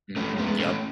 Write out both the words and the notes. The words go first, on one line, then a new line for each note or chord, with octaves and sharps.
Mhm. Yep.
A3 C#4
G#3 B3
A3 C#4